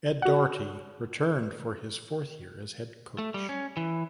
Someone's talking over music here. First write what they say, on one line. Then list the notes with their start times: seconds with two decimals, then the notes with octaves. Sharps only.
Ed Doherty returned for his fourth year as head coach.
0.22 F#4 F#5
3.18 A3
3.34 G3
3.49 C#4
3.77 E3